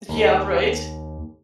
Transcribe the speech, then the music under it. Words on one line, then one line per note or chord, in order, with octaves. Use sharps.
Yeah, right.
D#2